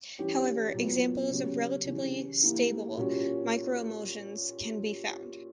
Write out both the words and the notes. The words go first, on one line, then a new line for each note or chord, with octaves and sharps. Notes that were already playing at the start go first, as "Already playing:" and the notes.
However, examples of relatively stable microemulsions can be found.
E3 G3 C#4 G4
A#2 F#3 B3
C#3 F#3 C#4 G4
C#3 E3 G3 C#4
E3 A#3 E4 G4
A#2 G3 C#4 F#4